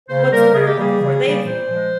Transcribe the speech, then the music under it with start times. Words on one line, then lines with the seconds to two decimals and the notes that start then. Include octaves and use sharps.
what's the word I'm looking for they've
0.09 C#3 C5
0.32 G3 A#3 A#4
0.54 C#3 G#4
0.66 G4
0.77 E3 G3 A#3 G#4
1.01 C#3
1.24 E3 G3 A#3
1.46 A#2 C5
1.70 F3 G#3